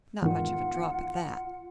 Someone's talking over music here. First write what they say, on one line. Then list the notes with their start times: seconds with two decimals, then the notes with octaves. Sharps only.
Not much of a drop at that.
0.22 E2 G#2 D#3 F4 F#5